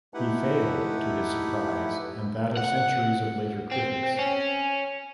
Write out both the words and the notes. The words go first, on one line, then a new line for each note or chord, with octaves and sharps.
He failed, to his surprise and that of centuries of later critics.
A3 D#4 E4 G4 B4 F#5
F#5
C4
C#4